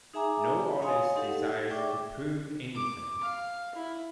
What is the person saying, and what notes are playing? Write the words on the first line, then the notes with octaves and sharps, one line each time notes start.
No artist desires to prove anything.
D#4 G#4 E5 G#5 A#5 D6
C#5 D#5 F5 G#5 C6 D#6
D#4 G4 A4 F#5
G#4 D5 E5 G5 C#6 D6
D6
F5
E4